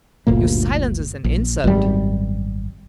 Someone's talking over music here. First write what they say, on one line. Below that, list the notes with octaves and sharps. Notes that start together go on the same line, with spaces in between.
"Your silence is an insult!"
G1 D2 A#2 A#3
A#1
G#1 F#2 C#3 G3